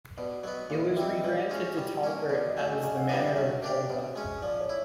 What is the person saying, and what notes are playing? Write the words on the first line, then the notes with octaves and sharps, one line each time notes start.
It was regranted to Talbot as the Manor of Calva.
B2 D5
F#3 B3 D#5
A#2 D#5
E5
G3 C4
D#5
E3 D5
G#3 C#4
G3
A#3 C#4
B2 D5
D#5
F#3 A3
G#5
C#3 G#5
F#5
E3 G3 B3 D4 F5
E5
F#3 E5
A#3 D4 G4
B2
G#3 C#4
F3 D5
C#5
E4